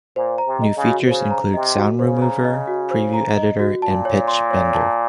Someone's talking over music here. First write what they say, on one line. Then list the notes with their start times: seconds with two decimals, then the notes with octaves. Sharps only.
New features include sound remover, preview editor and pitch bender.
0.16 A#2 C5
0.38 A#5
0.46 C3
0.62 D#5
0.77 C#3
0.84 F#4
1.07 C#3 C5
1.30 A#5
1.54 C3 D#5
1.76 F#4
1.99 C#3 C5
2.22 A#5
2.44 D#5
2.67 F#4
2.91 C5
3.14 A#5
3.37 D#5
3.59 F#4
3.82 A#2 A5
4.05 C#5
4.28 C6
4.51 C#5
4.74 A5